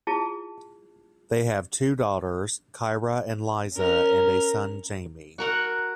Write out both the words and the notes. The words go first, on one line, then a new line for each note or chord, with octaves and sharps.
They have two daughters, Kyra and Liza, and a son, Jaime.
E4 F4 G#4 A5
C#4 A#4
F#4 A#4 F#5